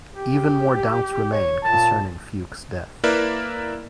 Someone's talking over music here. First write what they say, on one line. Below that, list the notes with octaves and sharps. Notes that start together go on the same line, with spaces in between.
Even more doubts remain concerning Fuchs' death.
G4
C#5
A#2 A5
A#3 E4 A#4 B4 D5 E5